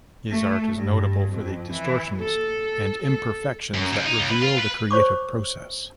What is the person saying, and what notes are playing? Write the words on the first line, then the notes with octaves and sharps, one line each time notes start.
His art is notable for the distortions and imperfections that reveal the creative process.
A3
G2
F2
E3
A4
A4
F#2
C#2
D#4
C#2
B4
F4
B4
C5 C#5 C#6 D6